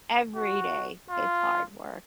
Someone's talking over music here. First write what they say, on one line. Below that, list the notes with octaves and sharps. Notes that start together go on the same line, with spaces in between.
every day, it's hard work.
F#4
F4